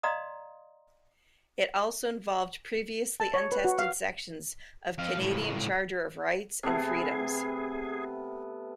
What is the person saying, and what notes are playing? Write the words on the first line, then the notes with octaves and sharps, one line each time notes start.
It also involved previously untested sections of Canadian Charter of Rights and Freedoms.
D5 D#5 F5 A#5 C6 D#6
A5
C#5
B4
F#4
F5
F2 F5
C#2 A2
C3 A3 B3 G#4